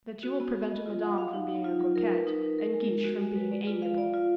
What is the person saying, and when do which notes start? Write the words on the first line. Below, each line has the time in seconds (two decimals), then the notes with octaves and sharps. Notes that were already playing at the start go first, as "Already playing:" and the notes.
"That you will prevent Madame from being a coquette and Guiche from being amiable."
0.23 F#4
0.40 B3
0.55 B3
0.71 D#5
0.86 F4
1.02 F#5
1.18 F5
1.33 D#4
1.49 D#4
1.65 F4
1.79 F#3
1.96 A#4
2.12 B4
2.27 D#4
2.42 D#4
2.59 A#4
2.73 G#3
2.89 G#3
3.04 F#4
3.21 G#3
3.36 B4
3.51 D5
3.67 F4
3.82 F5
3.98 D5
4.14 F4